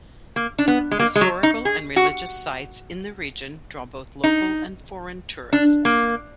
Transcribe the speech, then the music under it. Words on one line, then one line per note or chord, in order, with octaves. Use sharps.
Historical and religious sites in the region draw both local and foreign tourists.
A#3
D4
B3
G#3
A#3
G#3
F#3
D#4
G#4
F#4
D#4
D4
A#3